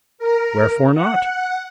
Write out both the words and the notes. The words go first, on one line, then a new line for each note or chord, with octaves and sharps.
Wherefore not?
A#4
F#5